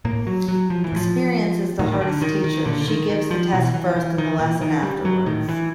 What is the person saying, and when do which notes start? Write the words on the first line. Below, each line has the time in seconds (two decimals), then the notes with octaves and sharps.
Experience is the hardest teacher. She gives the test first and the lesson afterwards.
0.05 A2 A#3
0.27 F#3
0.48 F#3
0.70 F3
0.84 E3
0.92 A2 F3
1.79 A2 D#3
1.92 D#3
2.01 D3
2.22 D#3
2.44 D#3
2.65 A#2 D3
2.81 D3
2.88 D#3
3.10 D#3
3.31 F3
3.53 B2 E3
3.74 E3
3.96 E3
4.18 D#3
4.39 A#2 E3
4.61 D#3
4.83 G3
5.05 F#3
5.26 A2 D#3
5.48 E3